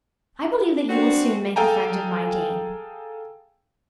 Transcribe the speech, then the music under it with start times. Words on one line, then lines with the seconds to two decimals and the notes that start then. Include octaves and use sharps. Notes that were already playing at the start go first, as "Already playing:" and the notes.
I believe that you will soon make a friend of my Dane.
0.90 C4 D4 F#4
1.56 G#4 A4 F5 G5 G#5 A#5